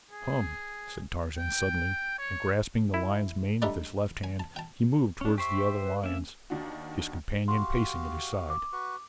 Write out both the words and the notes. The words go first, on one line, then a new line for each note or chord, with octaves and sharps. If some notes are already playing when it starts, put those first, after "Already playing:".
"Come," said Tarzan suddenly and grasping the lion's mane with his left hand he moved toward the other lions, his companion pacing at his side.
G#4
G5
C#5
E4
G3 A3 D4 D#4 G4 A4
G#5
A5
G5 A5
C#4 D4
G4 C5 E5 C#6
B4
A#3 C#4 E5
D#2 D#3 D4 F#4
F#4 G4 F5 C6
D6
F#4 B4 C#6